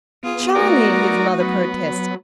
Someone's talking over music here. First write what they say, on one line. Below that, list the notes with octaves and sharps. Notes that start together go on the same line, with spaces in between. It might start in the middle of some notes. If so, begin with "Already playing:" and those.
"Charlie!" his mother protested.
B3 F4 G#4
A3 D#4 F#4 A#4 D5
F#3 B3